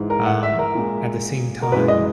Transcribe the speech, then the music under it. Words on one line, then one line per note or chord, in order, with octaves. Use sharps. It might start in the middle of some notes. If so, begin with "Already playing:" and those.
um, at the same time,
Already playing: G#2 E3 G#3
A#4
F#5
E5
A#4
A#2 G#3
A#4
F#2 E3 G#3 B4
D#5